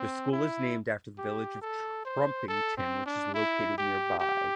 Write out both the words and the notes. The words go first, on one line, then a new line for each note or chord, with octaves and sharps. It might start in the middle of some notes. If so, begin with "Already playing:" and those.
The school is named after the village of Trumpington which is located nearby.
Already playing: C4
E4
G4
A4
C5
A4
C4
D4
E4
G4
G4